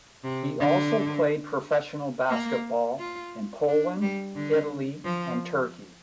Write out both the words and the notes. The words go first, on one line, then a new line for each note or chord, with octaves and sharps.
He also played professional basketball in Poland, Italy and Turkey.
C3
D3
A#3
F4
D4
G3
D3
F3